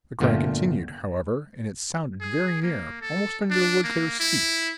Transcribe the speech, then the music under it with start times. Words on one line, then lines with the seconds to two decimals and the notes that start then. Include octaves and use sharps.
The cry continued, however, and it sounded very near, almost under the woodcutter's feet.
0.20 G1 A#2 D3 A3 F4 G5
2.21 G#4
2.62 A#3
3.02 A4
3.50 D4
3.84 A#3
4.20 E4